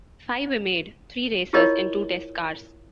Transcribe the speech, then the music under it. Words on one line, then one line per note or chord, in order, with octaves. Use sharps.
Five were made, three racers and two test cars.
E4 F4 G4 A#4 C#5 D#5